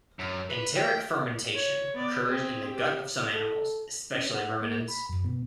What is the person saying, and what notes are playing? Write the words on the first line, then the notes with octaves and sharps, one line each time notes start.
Enteric fermentation occurs in the gut of some animals, especially ruminants.
F#2
B4
G5
C#5
B3 D5
C4 G#4
G4
A4
C#4
F#5
A#3
B5
F#2
B2